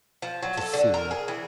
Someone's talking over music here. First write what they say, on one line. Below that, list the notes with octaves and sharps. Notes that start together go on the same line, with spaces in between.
To see.
F3
F#3
A4
D3
A#4
G#4
E3